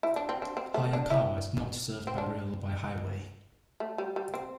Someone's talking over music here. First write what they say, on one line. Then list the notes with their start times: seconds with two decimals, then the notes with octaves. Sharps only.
Hayakawa is not served by rail or by highway.
0.03 E4
0.16 D4
0.29 C4
0.42 D4
0.57 C4
0.74 A3
0.93 D4
1.10 E4
2.07 C4
2.18 D4
3.80 A3
3.98 G3
4.16 G3
4.34 C4